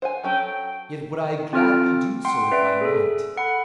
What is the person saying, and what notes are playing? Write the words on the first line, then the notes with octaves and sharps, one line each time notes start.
Yet would I gladly do so, if I might.
C5 F#5 G#5
F#3 C#4 A4 G5
G5
C4 F4 A4 F6 A6 D7
F#5 G5 C6
C#4 B4 D5 E5 D7
G#4 A4
A4 F#5 B5